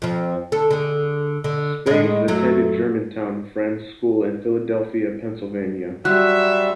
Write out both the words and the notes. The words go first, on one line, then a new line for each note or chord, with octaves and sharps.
Spaeth attended Germantown Friends School in Philadelphia, Pennsylvania.
F2 F3
D3 A4
D3 G#4
D3
A2 G#3
F#2 F#3 A3
F#3 G3 C5 C#5 E5 F#6